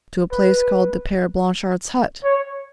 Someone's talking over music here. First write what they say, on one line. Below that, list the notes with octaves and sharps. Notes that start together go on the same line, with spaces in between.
"To a place called the Pere Blanchard's hut?"
B4
C#5